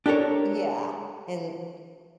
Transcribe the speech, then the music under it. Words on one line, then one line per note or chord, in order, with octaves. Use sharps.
Yeah, and,
D4 G4 A4 A#4 C#5